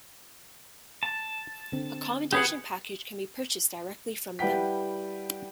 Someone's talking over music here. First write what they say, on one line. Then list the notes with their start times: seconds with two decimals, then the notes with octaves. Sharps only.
Accommodation package can be purchased directly from them.
1.03 A5
1.72 D3 C4
2.33 G4 G#4 B4 F#5
4.39 G3 E4 B4 F#5 G5 B6